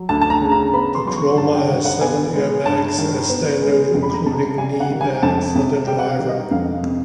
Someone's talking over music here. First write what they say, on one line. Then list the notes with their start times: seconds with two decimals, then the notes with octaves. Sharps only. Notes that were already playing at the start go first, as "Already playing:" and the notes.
The Croma has seven airbags as standard including knee bag for the driver.
Already playing: F#3
0.09 D2 A5
0.21 A5
0.30 A#5
0.41 C#3
0.52 A#5
0.73 B3 B5
0.95 C6
1.05 F#3 C6
1.16 C#6
1.38 G2 A5
1.54 G5
1.69 D#3 F#5
1.85 F#5
2.01 B3 G#5
2.34 G#3
2.66 G2 A5
2.98 D#3
3.30 B3
3.62 G#3
3.94 F2
4.02 B5
4.14 A#5
4.26 C3 A5
4.58 G3 G#5
4.80 F#5
4.91 D#3
5.01 G#5
5.23 F2 A5
5.55 C3
5.87 G3 G5
5.99 F#5
6.08 F5
6.19 D#3
6.29 D#5
6.51 F2 F5
6.83 C3